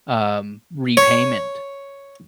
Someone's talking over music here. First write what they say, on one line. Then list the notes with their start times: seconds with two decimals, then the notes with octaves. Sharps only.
um, repayment.
0.97 C#5